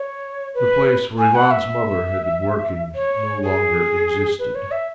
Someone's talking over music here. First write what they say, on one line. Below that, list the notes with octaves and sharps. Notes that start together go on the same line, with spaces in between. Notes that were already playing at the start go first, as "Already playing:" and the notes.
The place where Ivan's mother had been working no longer existed.
Already playing: C#5
B4
G#5
F#5
E5
C#5
G#4
B4
C#5
E5